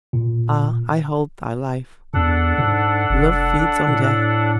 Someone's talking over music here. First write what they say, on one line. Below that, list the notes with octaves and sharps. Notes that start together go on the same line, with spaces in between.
I hold thy life! Love feeds on death.
A#2
E2 D4 A4 F#5
G#2
F1
A2